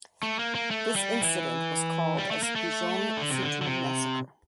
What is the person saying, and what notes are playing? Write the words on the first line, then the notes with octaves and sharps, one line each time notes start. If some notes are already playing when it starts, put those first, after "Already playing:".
This incident was called as Bijon Setu massacre.
A3
A#3
A#3
A3
G3
E3
G3
A3
A#3
A3
D3
C3
D3
D3
C3